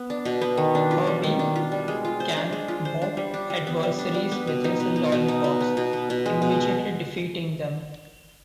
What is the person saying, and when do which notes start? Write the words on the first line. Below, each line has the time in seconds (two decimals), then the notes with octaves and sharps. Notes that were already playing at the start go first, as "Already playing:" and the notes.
Herbie can "bop" adversaries with his lollipops, immediately defeating them.
Already playing: B3
0.10 D4
0.25 B2
0.41 B3
0.57 D#3
0.75 D4
0.91 F4
1.07 G3
1.24 D#3
1.39 D4
1.56 F4
1.72 G3
1.88 G#3
2.05 F4
2.20 C5
2.36 D4
2.52 G#3
2.68 F4
2.85 C5
3.02 D4
3.17 G3
3.34 D4
3.50 G3
3.67 B3
3.83 G3
3.99 D4
4.14 G3
4.32 B3
4.47 B2
4.64 D#4
4.80 B2
4.96 B3
5.12 B2
5.28 D#4
5.44 B2
5.61 B3
5.77 B2
5.93 B3
6.10 B2
6.26 G#3
6.42 B2